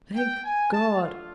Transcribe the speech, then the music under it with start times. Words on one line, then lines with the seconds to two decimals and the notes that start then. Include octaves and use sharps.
Thank God!
0.16 G5
0.44 G#5
0.71 A5
1.00 A3 D4 F4